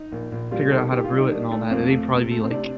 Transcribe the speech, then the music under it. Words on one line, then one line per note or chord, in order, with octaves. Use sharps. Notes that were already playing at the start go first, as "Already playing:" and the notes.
figured out how to brew it and all that and they'd probably be, like,
Already playing: D#4
A#1
A#1
G3 F4
D#3 A4
D#3 G4
F4
G3
D#4
D#3 D4
A3
F2 C4
A3
C3
A3
C4
C3 D4